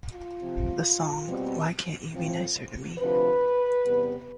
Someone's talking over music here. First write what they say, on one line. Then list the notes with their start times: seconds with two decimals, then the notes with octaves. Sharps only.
The song Why Can't You Be Nicer to Me?
0.12 F4
0.41 C3 F3 C4
1.27 B2 G3 C4
2.13 A2 F3 C4
2.99 D2 C3 F3 B4
3.85 E2 C3 G3 B3